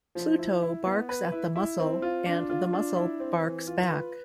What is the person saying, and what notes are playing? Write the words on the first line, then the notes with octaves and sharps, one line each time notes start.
Pluto barks at the mussel and the mussel barks back.
F3
E4
E4
B3
B4
E4
E4
C4
F4
D4
F4
D4
E4
C4
E3
F4
B4